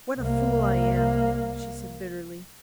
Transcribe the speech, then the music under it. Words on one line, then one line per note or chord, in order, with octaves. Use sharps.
"What a fool I am!" she said bitterly.
C2 A#3